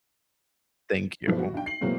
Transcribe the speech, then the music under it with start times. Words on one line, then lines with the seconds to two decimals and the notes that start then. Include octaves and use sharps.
Thank you.
1.27 G2 B2 E3 F3 G3
1.39 F#4
1.54 B1 D4 G5
1.66 C7 F#7
1.81 B2 E3 F#3 G#3 A#3 C4